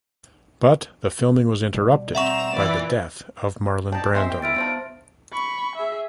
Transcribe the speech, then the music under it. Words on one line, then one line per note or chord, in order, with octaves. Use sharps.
But the filming was interrupted by the death of Marlon Brando.
B2 G3
C4 E5 F#5 A#5 C#6 E7
A#2 E3 D5
D4 D#4 G5 A5
G#3 B3 C5 E5 C6
G5
E4 E5 F6 A6 D7
G3 B3 C4 D#4 F4 C5 A5
B5 C#6
G#4 E5